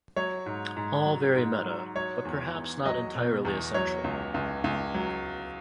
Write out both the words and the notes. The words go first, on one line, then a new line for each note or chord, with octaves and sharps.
All very meta but perhaps not entirely essential.
F#3 C#5
G#2
G#2
F#3
G#2
F#3
F#3 C#5
E2
E2
F#3 D#5
B2
E2
F#3 C#5
C#2
C#2
C#2
F#3